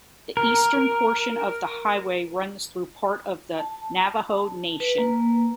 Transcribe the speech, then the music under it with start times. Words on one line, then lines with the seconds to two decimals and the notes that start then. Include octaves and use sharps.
The eastern portion of the highway runs through part of the Navajo Nation.
0.37 A#4
3.58 A5
4.80 B4
4.98 A#3